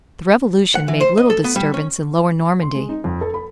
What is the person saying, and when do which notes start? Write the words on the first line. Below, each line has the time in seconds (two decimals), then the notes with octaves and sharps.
The Revolution made little disturbance in Lower Normandy.
0.75 F#5
0.88 E3
1.01 C5
1.18 D#5
1.30 A4
1.44 B3
1.56 G3
1.74 C#4
2.62 C6
2.75 G#3
2.89 D#4
3.04 F2
3.21 A4
3.34 B5